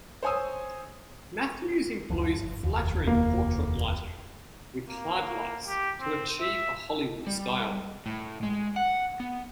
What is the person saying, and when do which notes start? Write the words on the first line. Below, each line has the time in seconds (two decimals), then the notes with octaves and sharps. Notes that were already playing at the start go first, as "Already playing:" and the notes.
Matthews employs flattering portrait lighting with hard lights to achieve a Hollywood style.
0.23 C5 C#5 G#5 D#6 E6
2.10 F#1 D2 F3
2.35 G1
2.63 F1 D#2
3.07 A#3
4.90 A#3
5.68 G4
6.01 C4
6.41 E5
7.27 G3
8.06 A2
8.43 G#3
8.76 F#5
9.20 B3